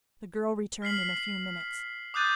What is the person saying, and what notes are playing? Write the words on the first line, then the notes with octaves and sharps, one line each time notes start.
The girl returned in a few minutes.
F6 B6 C7 F#7
D6 D#6 F#6 G6 A6 D#7